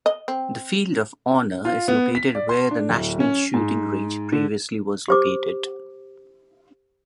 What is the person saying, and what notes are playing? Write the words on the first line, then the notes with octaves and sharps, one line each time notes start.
The field of honour is located where the national shooting range previously was located.
D#5
C4
F4
B3
B6
D5
C6
D4
D1
C#4
G#2
D3
G4 C5 D6